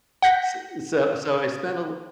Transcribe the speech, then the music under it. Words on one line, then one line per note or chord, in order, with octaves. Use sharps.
s so so I spent a li
F#5 G6 A#6 B6